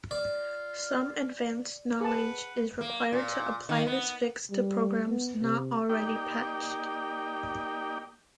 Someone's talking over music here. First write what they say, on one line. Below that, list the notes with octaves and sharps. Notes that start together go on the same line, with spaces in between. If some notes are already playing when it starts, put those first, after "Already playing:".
Some advanced knowledge is required to apply this fix to programs not already patched.
F4 D5
G#4 B4 F#5 A5
A#3
A#2
D#3
B3
G3
B3
C3
A#3 D#4 G4 D5 G5